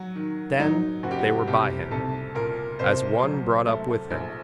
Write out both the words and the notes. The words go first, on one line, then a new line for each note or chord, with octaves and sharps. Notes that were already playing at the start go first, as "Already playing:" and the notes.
Then they were by him, as one brought up with him.
Already playing: F#3 F#4
D#3
F#3 D#4
F#1 F#4
G4
F#4
C2 G4
C2 A4
A#2 A#4
C2 C5
F#3
A3
A#1